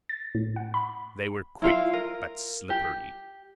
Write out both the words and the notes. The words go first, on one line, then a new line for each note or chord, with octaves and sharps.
They were quick, but slippery.
A6
A2
F#5
B5
E4 F4 F5
A#4
G4